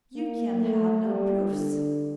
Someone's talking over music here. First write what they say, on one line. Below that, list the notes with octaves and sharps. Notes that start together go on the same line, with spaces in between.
You can have no proofs.
A#3
A3
G3
D3